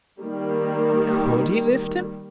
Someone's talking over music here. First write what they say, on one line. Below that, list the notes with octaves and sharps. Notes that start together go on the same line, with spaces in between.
Could he lift him?
D#3 G3 A#3